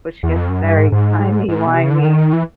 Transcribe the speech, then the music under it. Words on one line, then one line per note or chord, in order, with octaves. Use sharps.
which gets very timey-wimey.
E2
F2
F#2
G2
G#2
G#2
G#2
A2
B2
C3
C#3
D3
D#3
E3